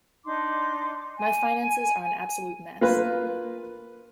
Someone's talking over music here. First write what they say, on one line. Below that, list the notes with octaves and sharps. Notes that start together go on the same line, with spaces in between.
My finances are an absolute mess.
D4 D#4 C6 D6
G#5
A#3 F4 B4